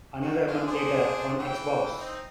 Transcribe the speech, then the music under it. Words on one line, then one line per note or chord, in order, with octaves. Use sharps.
Another month later: on Xbox.
F#4
D3 F4 G#4
D4 G#4 C5
E3 G5
C4 D#4